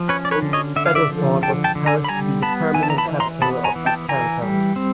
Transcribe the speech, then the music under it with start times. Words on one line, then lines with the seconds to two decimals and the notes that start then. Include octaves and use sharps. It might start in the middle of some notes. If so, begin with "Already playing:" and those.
Battleford was supposed to be the permanent capital of the Territories.
Already playing: F3
0.09 C#4 B4 C#5
0.25 D5
0.31 B4 C#5
0.42 D3
0.53 C#5 D#5
0.76 D3 E5
0.86 F5
0.95 D5 E5
1.10 F3
1.42 D3 G5 A5
1.64 G5 A5
1.75 D3
1.86 G#5 A#5
2.04 B5
2.08 G3 G#5 A#5
2.42 B3 A5 B5
2.74 E3 G#5
2.83 A5
2.90 A#5
2.98 A5 B5
3.09 E3
3.20 A#5 C6
3.42 B3 A5 B5
3.64 G#5 A#5
3.76 E3
3.86 G5 A5
4.09 E3 G#5 A#5
4.42 G3
4.76 C4